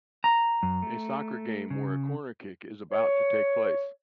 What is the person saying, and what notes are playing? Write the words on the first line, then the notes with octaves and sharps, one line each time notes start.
A soccer game where a corner kick is about to take place.
A#5
F#2
A3
C#3
C#5